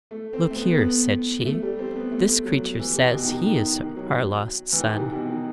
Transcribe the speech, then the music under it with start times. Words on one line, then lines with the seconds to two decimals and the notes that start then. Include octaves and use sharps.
'Look here,' said she, 'this creature says he is our lost son.
0.11 A3
0.33 C4
0.50 A3
0.55 B3
0.78 B3
1.45 A3
1.62 G3
1.79 C4
1.96 B3
2.11 A3
2.45 F#3
2.79 E3
2.95 C3
3.12 B2
3.24 D#3
3.28 C3
3.46 D#3
3.80 D#3
3.96 F#3
4.73 E3
4.80 D#3
4.97 C3
5.13 B2
5.29 D#3